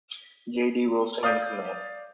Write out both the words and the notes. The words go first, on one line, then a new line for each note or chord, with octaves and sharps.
J. D. Wilson in command.
D5 F5 D#6 G6